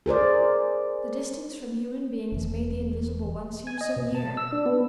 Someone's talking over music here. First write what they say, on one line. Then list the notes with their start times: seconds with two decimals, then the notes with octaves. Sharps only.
The distance from human beings made the Invisible One seem so near!
0.06 G#4 A#4 C5 D5
2.32 E1 E3
3.67 G#5
3.81 D#5
3.96 B2
4.15 A5
4.37 E6
4.52 D4
4.66 B3